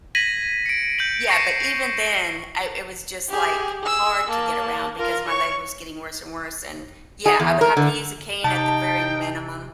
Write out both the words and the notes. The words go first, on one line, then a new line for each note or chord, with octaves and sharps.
Yeah, but even then, I it was just, like, hard to get around because my leg was getting worse and worse, and, yeah, I would have to use a cane at the very minimum,
G#6 A#6 B6 D#7 F#7
C#7 D7
G6 D7 F#7
C#6 A#6 C7 C#7 E7
G4 G#4
G#4 E6
A#3 A5
F4 A#4
C#5 C#6
G#4
E2
A#4
D3
C3 D#4 G5 A5